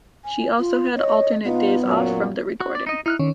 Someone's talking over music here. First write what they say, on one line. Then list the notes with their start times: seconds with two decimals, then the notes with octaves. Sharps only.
She also had alternate days off from the recording.
0.24 G#5
0.59 F4
0.97 C#5 D#5
1.44 B2 B3 D#4 F4
1.85 F#2 A#2 F#3
2.60 F#4
2.75 D5
2.87 D#4 D#5
3.06 D#4 E4 F6 F#6
3.19 D3 D#3 C#4